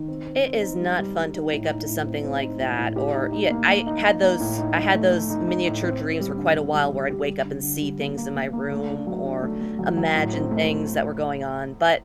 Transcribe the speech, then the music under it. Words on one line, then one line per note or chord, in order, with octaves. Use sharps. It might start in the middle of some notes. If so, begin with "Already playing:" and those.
It is not fun to wake up to something like that or ye I had those I had those miniature dreams for quite a while where I'd wake up and see things in my room or imagine things that were going on, but
Already playing: D#3
C4
C4
C4
D#4
G3
G3
G3
D#4
A2
D#4
A2
C4
C4
D#4
A2
A2
G4
D#4
D#4
A#3
A#3
D#4
D#4
A#3
A2
D#4
D#4
A3
A3
D#4
D#4
A2
C4
C4
G3
D3
D3
G3
G3
G4
G3
D3
D3
G3
A#3
A#3
A#3
A#3
A3
D4
F#3
D4
A3
A3
F#3
F#3
A2
C4
A3